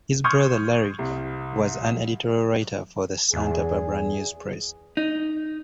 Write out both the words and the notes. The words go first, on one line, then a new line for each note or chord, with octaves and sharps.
His brother, Larry, was an editorial writer for the "Santa Barbara News-Press".
C6 C#6 D#6 F6 G6 G#6
C2
E2 G#4
D#4